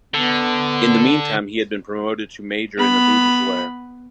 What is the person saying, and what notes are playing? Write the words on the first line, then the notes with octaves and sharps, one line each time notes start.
In the meantime he had been promoted to Major in the Bundeswehr.
D3 B3
B3 B5